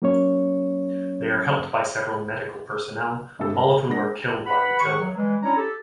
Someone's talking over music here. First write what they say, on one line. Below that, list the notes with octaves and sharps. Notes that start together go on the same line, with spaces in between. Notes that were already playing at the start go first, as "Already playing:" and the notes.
They are helped by several medical personnel, all of whom are killed by Matilda.
F#3 A#3 C#4 C#5
G1 G2 C3 G#3 G4 A4
A#4 A#5
G#3 D4 A#4 F#5 A#6
B4 F#5 B5
D#3 G4 F#5 C#6
F#3
E3 G3 G#3
C#4 D4 E4 C#5 D5 A#5
G4 A4